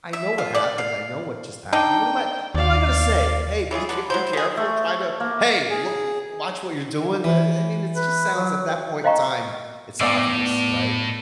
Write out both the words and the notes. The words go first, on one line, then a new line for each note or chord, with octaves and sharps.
I know what happened, I know what just happened, what am I what am I gonna say? "Hey. Be ca be careful. Try to Hey! Look, w watch what you're doing." Eh eh I mean, it just sounds, at that point in time it's obvious, right?
E5
F4
D5
F5
D4 D#4 G5
D#2 D5 F5
E3 C#4 F4 G#4
D3 B4
F#3 E4 C5
G#3 G#4
A3
A#3
G#4
E3
B4
F#3
C5 D#5 F5 G5 A#5 C#6
A2 B3 D5 E6 C7